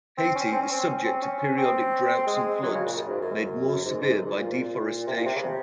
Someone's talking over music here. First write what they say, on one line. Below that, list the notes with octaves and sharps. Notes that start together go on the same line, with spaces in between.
Haiti is subject to periodic droughts and floods, made more severe by deforestation.
C4
C#4
C4
C#4
C4
C#4
C4
C#4
C4
G#3
F#3
C#3
A#2
F#2
G#2
F#2
F#2
G#2
G#2
F#2
G#2
A#2
C3
A#2
C3
C#3
C3